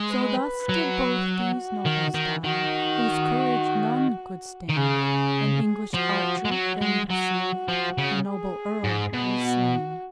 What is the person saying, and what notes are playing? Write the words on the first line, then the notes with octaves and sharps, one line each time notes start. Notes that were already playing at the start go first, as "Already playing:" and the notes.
So thus did both these nobles dye, Whose courage none could staine; An English archer then perceiv'd The noble erle was slaine.
Already playing: G#3
B4
F#3
F#4
D#3
D#3
D#3 F#4
D#3
C#3 G#4
G#4
F3 F#4
G#3
F#3
G#3
F#3 F#4
F3
C#3
G#4
G#2
B2
F#4